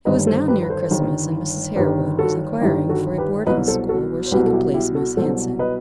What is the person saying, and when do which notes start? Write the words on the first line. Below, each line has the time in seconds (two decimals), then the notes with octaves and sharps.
It was now near Christmas, and Mrs. Harewood was inquiring for a boarding-school where she could place Miss Hanson.
0.05 G1 G2 D#3 B4 D#5
0.27 A4 C5
0.48 G4 B4
0.63 B4
0.69 A4 C5
0.91 G1 G2 D#3
1.76 G1 G2 D#3 G4 B4
2.19 F#4 A4
2.61 G1 G2 D#3 E4 G4
2.89 F#4 A4
3.18 G4 B4
3.46 C2 B2 F#3 B4 D#5
3.68 A4 C5
3.89 F#4 A4
4.26 C5
4.32 C2 B2 F#3 G4 B4
4.46 A4
4.53 E4 G4
4.74 E4 G4
4.95 F#4 A4
5.17 C2 B2 F#3 A4 C5
5.59 B4 D#5